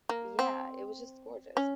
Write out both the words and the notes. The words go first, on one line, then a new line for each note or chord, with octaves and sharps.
yeah, it was just gorgeous.
A#3
C4
C#4